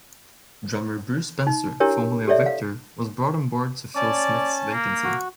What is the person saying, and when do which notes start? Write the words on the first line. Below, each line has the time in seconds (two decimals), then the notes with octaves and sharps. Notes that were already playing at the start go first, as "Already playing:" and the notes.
Drummer Bruce Spencer, formerly of Vector, was brought on board to fill Smith's vacancy.
1.47 D#4
1.80 D4 E4 G4 A#4 C#5
2.28 G4 A4 C#5 D5 E5
2.46 F5
3.96 C#4 D5 A5
4.72 A#3
5.04 F#4